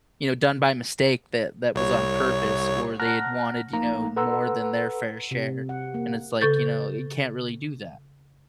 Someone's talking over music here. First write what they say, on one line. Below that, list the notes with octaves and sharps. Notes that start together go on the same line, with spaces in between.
you know, done by mistake that that was on purpose or they had wanted, you know, more than their fair share, and it's, like, you know, you can't really do that,
C2 C#5
F#5 A5 A#5 F6 F#6 A#6
A#1 A#3 D#4 A#5
A4 B4 F#5 A#5 C6 E6
C3
F#5
A#3
C#3 A4 G6 A6